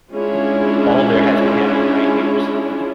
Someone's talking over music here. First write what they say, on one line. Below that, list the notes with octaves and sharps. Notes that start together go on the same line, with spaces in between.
Baldr has been having nightmares.
G#3 C#4 D4 E4 F4 G#4